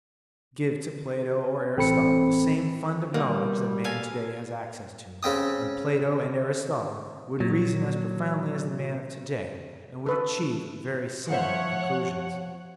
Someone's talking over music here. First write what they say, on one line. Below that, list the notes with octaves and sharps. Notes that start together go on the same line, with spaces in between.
Give to Plato or Aristotle the same fund of knowledge that man to-day has access to, and Plato and Aristotle would reason as profoundly as the man of to-day and would achieve very similar conclusions.
A1 C4 A4 B5 C#7
B2 G3 A#3
A4 F5 G#5
C#3 C4 G5 D#6
A#2 F#3
A4 B4
F3 C5 C#5 E5 F#5